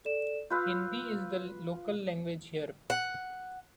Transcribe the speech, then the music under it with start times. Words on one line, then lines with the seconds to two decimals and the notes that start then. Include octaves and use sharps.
Hindi is the Local Language here.
0.05 A4 D5 E7
0.50 F4 B4 F5 E6 F#6 G6
2.90 F#5